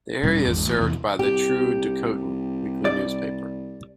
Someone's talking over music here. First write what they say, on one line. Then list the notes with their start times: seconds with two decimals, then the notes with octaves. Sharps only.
The area is served by the "True Dakotan" weekly newspaper.
0.23 E1 A#2 G3 C#4
0.44 G#1 E2 G#2
0.65 A1
0.81 E2 C3 E3
1.19 C2 G4
2.85 D5